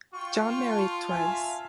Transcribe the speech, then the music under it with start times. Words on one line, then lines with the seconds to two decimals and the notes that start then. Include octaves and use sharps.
John married twice.
0.14 F4 G5 C#6
0.69 A5 C6
1.09 E5 F5 G#5